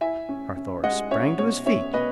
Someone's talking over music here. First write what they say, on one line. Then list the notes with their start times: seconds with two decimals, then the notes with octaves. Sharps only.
Carthoris sprang to his feet.
0.01 E4 E5 G#5
0.29 C#4
0.56 C#4
0.83 G#3 D#5 F#5
1.11 C#4 C#5 E5
1.39 B2 C#5
1.66 C#4 C#5 E5
1.94 B2 B4 D#5